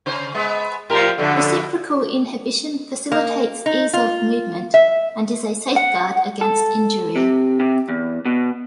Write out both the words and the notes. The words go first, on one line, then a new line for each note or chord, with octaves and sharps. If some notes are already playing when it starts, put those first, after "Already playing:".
Reciprocal inhibition facilitates ease of movement and is a safeguard against injury.
C#3 C#4 C5
G#3 B3
A2 F3 G4 A#4
F2 B2 D3
A#3
D#4
F4
E5
F#5
A4
C3
C3
E2
B2